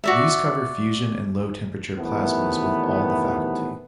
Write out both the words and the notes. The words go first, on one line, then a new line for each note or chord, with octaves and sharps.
These cover fusion and low temperature plasmas with all the faculty.
F#4 D5 E5
C3 D#3 E3 F#3 A3 B3